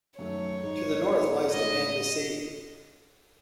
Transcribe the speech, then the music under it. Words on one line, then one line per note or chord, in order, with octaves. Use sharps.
To the north lies the Banda Sea.
F#2 D#3 F#3 A3 C#5
G#2 D#3 G#3 D#4
G#2 E3 B3 D#4
A2 G#3 D#4 G#4 D#5